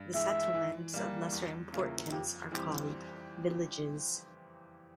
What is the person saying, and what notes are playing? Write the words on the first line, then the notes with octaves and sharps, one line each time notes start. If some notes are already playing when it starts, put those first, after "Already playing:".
The settlements of lesser importance are called "villages".
Already playing: G2
E3 G#3 E5
E3
G3 A#3
E2
C#3 F3 A#3 E4
F2 G4
E3 G3 C4 G4